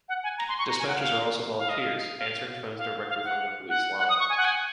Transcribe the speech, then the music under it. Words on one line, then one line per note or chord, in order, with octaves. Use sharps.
Dispatchers are also volunteers, answering phones directly from the police line.
F#5
G#5
A#5
C6
C#6
A#5
G#5
F#5
F5
F5
D#5
F5
F5
F5
F5
F#5
F#5
F#5
D#6
C#6
G#5
F#5
G#5